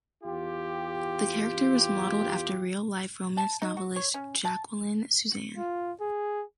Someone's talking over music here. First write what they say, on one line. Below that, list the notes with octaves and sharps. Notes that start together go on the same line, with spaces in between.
The character was modeled after real-life romance novelist Jacqueline Susann.
E2 F4 G4
A5
D#4
F#4
C#5
C#4
A5
F4
G#4